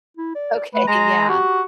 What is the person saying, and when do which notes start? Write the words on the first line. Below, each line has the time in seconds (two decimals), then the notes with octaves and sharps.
Okay, yeah.
0.17 E4
0.35 D5
0.74 A3 B4
0.87 G#3 A#5
1.29 F#4 G4